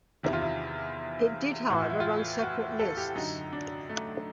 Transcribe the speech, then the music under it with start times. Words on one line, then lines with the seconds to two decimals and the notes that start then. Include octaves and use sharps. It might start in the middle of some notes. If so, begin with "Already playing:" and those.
It did however run separate lists.
0.23 E2 C3 D#3 E4
0.33 F4
0.41 E4
1.70 A2 E3 F#4
1.80 F4
1.90 E4
2.00 F4
2.42 F#4
2.80 A4
2.97 G4
3.15 F#2 D3 D#4
3.53 D4
3.89 A3